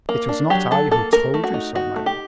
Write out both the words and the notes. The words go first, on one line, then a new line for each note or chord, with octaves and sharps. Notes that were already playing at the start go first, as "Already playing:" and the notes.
"It was not I who told you so, my lord."
A#3
D4
F#3 G4
F#3 A4
A#3 A4
A3 A#4
A3
F#4
D#4
D#4 F#4
A3
G4